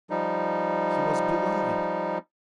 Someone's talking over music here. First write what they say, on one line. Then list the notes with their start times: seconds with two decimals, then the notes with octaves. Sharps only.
He was beloved.
0.10 F3 G3 D#4